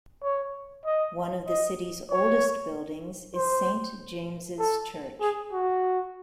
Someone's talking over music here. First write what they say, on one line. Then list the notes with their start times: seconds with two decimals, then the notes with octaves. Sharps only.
One of the city's oldest buildings is Saint James's church.
0.23 C#5
0.85 D#5
1.48 D#5
2.10 C#5
3.34 C5
4.59 A4
5.21 G#4
5.52 F#4